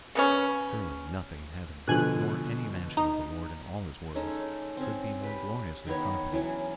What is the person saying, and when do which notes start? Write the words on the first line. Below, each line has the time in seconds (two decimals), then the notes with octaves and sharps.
Surely nothing in heaven, nor any mansion of the Lord in all his worlds, could be more gloriously carpeted.
0.15 C#3 B3 C#4
1.88 B2 D3 F3 G#5 F#6
2.97 D#4 A#5
4.15 G#3 C#4 D#4 A4
4.77 C4 C#4
5.23 G4 B4
5.87 D#3 B3 B4 C#5
6.32 E3 F#3 C#4